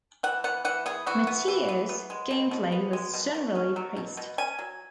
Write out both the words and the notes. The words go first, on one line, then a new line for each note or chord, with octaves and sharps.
"Meteos" gameplay was generally praised.
E3 F#5
B3 F#5
E3 F#5
B3 G#4
E3 F#4
B3
E3
B3
B3
G#3
B2
B2
B3
G#3
B2
B2
C#4
F#3
B2
B2
C#4 G#5
F#3